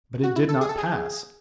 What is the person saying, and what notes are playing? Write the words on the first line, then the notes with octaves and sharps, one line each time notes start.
But it did not pass.
F#4
E4
A4
G#4
A4
G#4